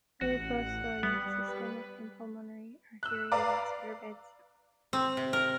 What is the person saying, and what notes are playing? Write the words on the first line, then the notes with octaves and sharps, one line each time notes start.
Iloprost dilates systemic and pulmonary arterial vascular beds.
A1 F#4 F#5
G3 B3
B4
E6 F#6
B4 D5 F5 A#5 D6
C4
C3
A#4